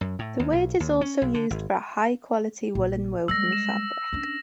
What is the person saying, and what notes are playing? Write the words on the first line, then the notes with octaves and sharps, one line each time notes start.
The word is also used for a high quality woolen woven fabric.
F#2
A2
D#2
B1
D#2
C#4
B1
D3
G#1
A#1
G3 G#3 E6 A#6
E7
C#4 D4